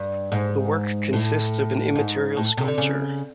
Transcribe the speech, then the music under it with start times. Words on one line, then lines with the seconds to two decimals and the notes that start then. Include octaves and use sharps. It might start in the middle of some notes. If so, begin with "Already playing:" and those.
The work consists of an immaterial sculpture.
Already playing: G2
0.32 G#2
1.13 A2
1.96 G#2
2.37 A2
2.57 C3
2.68 D3
2.78 C#3